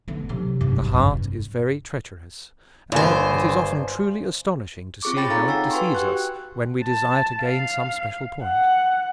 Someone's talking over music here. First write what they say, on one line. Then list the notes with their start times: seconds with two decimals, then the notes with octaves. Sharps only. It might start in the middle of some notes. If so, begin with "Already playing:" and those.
The heart is very treacherous; and it is often truly astonishing to see how it deceives us when we desire to gain some special point.
0.08 D3 B3
0.29 C3 F#3
0.61 G#1 G2
0.91 G2 C3
2.92 G1 G2 C5 G#5
5.03 C4 F4 G#4 C#6 D6
5.16 C#5 G5 B5 A6 A#6
5.30 D#4 A4 F5 G5 A#5
5.48 F#5 G#5 E6
5.70 F#4 B4 G#5 C6 C#6
5.95 G4 G5 F#6
6.84 A5
7.42 F5
8.43 F#5